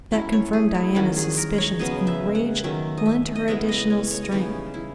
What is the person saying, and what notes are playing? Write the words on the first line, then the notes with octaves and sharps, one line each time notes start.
That confirmed Diana's suspicions and rage lent her additional strength.
F#3 C#4 E4
C#5
G#4
E4
D#3 F#3 C#4 F#4
G#4
A#4
C#5
C#3 F#3 B3 D#5
E5
F#5
D#3 F#3 C#4 E5
D#5
E5
D#5
C#3 G#3 B3 E4 E5
D#5
C#5
C#5
D#5
C#3 E3 B3 D#4 C#5
E4